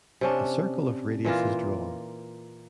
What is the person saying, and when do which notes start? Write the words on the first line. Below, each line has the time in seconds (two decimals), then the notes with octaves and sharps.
A circle of radius is drawn.
0.21 C3 C#4 D4
1.25 A#2 E3 A#3 F4